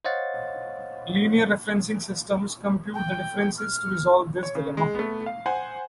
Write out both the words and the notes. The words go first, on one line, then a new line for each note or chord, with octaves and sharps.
Linear referencing systems compute the differences to resolve this dilemma.
C5 C#5 D#5 F5 F#5 A6
G5
F6
C#5
C#3
G#3
A3 B3
F5
C5 F#5 G#5